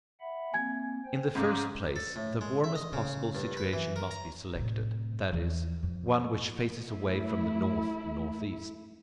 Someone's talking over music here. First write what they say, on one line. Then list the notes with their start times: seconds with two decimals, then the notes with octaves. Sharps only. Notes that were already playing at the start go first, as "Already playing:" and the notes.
In the first place, the warmest possible situation must be selected; that is, one which faces away from the north and northeast.
0.20 E5 F#5 B5
0.54 A#3 C4 G#5 G#6
1.05 C5 G5
1.35 G#2 C#3 F5 D6 G6
1.96 A4
2.16 A2
2.41 G#3
2.64 E5
2.76 D#5
2.93 C#3
3.35 G2
3.57 B4
3.73 E3
3.96 A#4
4.11 A#5
4.55 A2 C3
5.32 E2 E3
5.83 F2
6.82 A3 E4